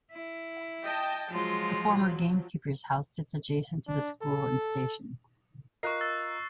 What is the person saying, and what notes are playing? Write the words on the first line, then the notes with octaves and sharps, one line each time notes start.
The former gamekeeper's house sits adjacent to the school and station.
E4
D#5 G5 A5
F3 F#3 G#3 F4
D4
A4
F4 A#4 D#5 C#6 F#6 C7
E6 A6